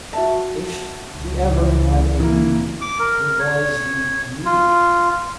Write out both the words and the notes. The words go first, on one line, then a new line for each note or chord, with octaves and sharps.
If he ever had a Me, where was the Me?
F#4 E5 A5
C#2
E3
E3 A#3
D6
A#4
C#5
F4